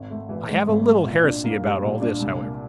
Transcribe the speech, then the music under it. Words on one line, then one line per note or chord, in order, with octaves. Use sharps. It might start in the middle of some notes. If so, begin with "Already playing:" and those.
I have a little heresy about all this, however.
Already playing: G#1
A3
E3
G#2
G#1
A3
A#2
D4
A#3
G3
A#2
D4
C2
A#3